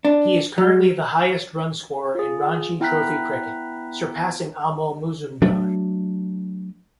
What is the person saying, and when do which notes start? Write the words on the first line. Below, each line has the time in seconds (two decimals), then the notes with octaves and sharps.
He is currently the highest run-scorer in Ranji Trophy cricket, surpassing Amol Muzumdar.
0.05 D4
0.58 F#3
2.15 F4 G#4
2.80 B3 E4 G5 A#5 F#6 B6
5.42 F#3 A3 D4